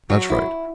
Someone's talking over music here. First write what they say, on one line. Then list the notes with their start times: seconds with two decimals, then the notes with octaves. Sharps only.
That's right.
0.10 F#3
0.30 E4